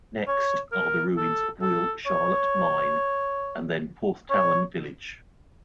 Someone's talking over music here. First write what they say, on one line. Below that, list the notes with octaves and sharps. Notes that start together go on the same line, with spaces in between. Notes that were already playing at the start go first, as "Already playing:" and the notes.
Next are the ruins of Wheal Charlotte mine and then Porthtowan village.
C#5
A#4
A4
A4
C#5
C#5